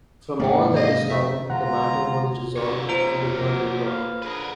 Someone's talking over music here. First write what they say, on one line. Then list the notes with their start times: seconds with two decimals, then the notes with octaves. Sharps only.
From all that is known, the matter was resolved, and did not recur.
0.40 G#2 C3 A#3 D5 F5 F#5
0.76 D#5 F5
1.10 F2 A3 E5
1.50 B2 D3 G#3 F4 F#5 A#5
2.56 D3 A#3 C#5
2.89 C4 D#4 F4 C5 A#5
3.36 F#4 A#4
3.85 B4 F5
4.22 D3 G#4 A#4 B4